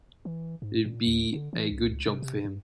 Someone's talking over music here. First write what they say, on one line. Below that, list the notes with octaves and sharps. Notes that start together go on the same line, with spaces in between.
It'll be a good job for him.
E3
G#2
A#2
D#2
D3
E3
C2
C#2
C3
C3
G2